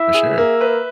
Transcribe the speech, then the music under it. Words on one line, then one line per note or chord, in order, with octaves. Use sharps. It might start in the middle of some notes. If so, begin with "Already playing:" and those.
For sure.
Already playing: E4 E5
G#4
A#3
B4